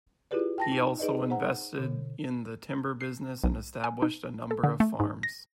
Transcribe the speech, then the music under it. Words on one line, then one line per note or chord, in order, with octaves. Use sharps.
He also invested in the timber business, and established a number of farms.
E4 F4 G4 G#4 B4 D5
G5 A5 A#6
D#4
D#4 G#4 B4 D5 D#5
C5 F#5 A#5
B2 D3
C7
B1
G#5
D#4
A4
D3
A3
G#2
A#6